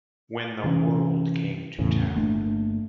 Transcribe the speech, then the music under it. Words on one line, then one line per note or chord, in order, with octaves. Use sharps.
"When the World Came to Town".
C3 E3 C4 C#4
E2 A2 C#3 E3
G1 A3 A#3 D4